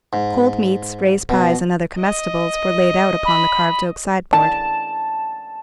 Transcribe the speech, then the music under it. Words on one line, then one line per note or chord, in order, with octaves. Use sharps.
Cold meats, raised pies, and other comestibles were laid out upon the carved-oak sideboard.
G#2
B2
D#5
B5
A5